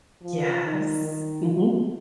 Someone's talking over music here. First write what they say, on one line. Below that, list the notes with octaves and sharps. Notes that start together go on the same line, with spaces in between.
Yes. Mhm.
F3
D#3
D#3